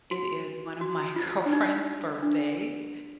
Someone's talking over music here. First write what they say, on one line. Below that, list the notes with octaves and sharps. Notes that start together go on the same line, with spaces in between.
It is one of my girlfriend's birthdays.
F#4
F#4
F4
D4
D#4
D4